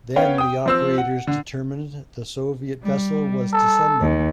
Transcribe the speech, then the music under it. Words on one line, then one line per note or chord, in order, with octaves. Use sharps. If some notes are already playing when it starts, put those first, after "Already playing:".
Then the operators determined the Soviet vessel was descending.
B3 C#4 C#5 F5 G5
G5 D#6
F3 C4 E6
F#5
D3
G3
A4
D#2